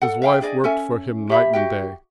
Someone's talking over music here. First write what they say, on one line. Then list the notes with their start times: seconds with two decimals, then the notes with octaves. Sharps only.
His wife worked for him night and day.
0.02 A4 F#5
0.22 E5 F5 G5
0.41 D4 G#4 D5 D#5
0.64 C#4 A4 E5 G#5
1.29 G4 E5 B5
1.53 F#4 G4 G5